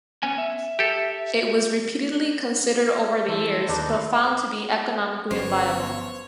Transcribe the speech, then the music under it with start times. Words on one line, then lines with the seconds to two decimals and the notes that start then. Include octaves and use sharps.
It was repeatedly considered over the years but found to be economically unviable.
0.23 B3 C#4 G#5
0.38 E5
0.79 G4 A4
3.28 E3 A4 C5
3.68 D#2 D4 D#4 B4
5.31 G1 F#3 B3 C#4 C5 C#5